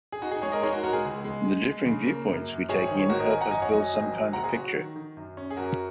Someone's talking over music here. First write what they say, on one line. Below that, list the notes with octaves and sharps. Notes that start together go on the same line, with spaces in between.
The differing viewpoints we take in help us build some kind of picture.
G#4
D#4 F#4
G#4
G#3 G#4 C#5
A#4 D#5
D#4 G#4 C#5
F#4 A#4
G#3 F#4 A#4
G#4
C#2
G#3
G#3
G#3
C#3
A#3
F#2
F#2
G#1 G#4 C#5
D#3
C#5
G#1 F#4 A#4
A#4 D#5
G#1 D#5 G#5
F#5 A#5
F#2 D#5 G#5
C#5 F#5
F#3 D#5 G#5
D#5 G#5
G#1
F#3
F#1 F#5 A#5
G#4
F#3 F#4
F#4
D#3
D#3
F#2
C#4
G#4
F#2 F#4 A#4